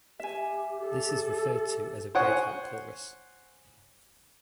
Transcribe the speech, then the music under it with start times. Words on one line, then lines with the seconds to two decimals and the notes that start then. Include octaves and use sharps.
This is referred to as a breakout chorus.
0.20 G4 E5 G#5
0.84 A4
2.15 C5 C#5 F#5 G#5 C#6